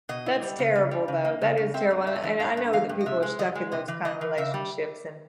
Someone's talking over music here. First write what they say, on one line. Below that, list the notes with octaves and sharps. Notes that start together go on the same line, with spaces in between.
That's terrible, though. That is terrible, and I I kn I know that people are stuck in those kind of relationships, and
B2 D#5
E4
G3
C#3
C#3
G3
C#3
A#3
C#3
C#3
C4 E5
G2
G2 E5
D#5
E3 E5
G2 F5
G2
E3 F5
G2
D#5
C3 E5
G#3
E3 D#5
G#3
C3 D#5
E3
E3 D#5
E3
C#3 E5
G3